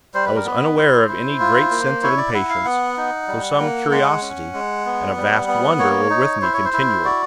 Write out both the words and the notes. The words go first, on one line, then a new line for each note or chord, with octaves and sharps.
I was unaware of any great sense of impatience; though some curiosity and a vast wonder were with me continually.
G3 C5
B4
A#4
B3 B4
E4 C5
E4
F4
A#3
E4 C#5
D5
E4 F#5
F5
B3 F#5
D#4
G3
A#3
G#3 F#5
C#4
G#3
B3
G3
B3
A#3 C#5
D#4
E4 C5
C#5
C5
E4
F#4 D5